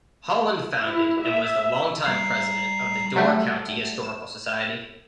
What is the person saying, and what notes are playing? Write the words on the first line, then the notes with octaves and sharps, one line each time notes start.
Holand founded and was the long-time president of the Door County Historical Society.
E4
E5
G3 A#5 C7
F#3 G3 A3
E7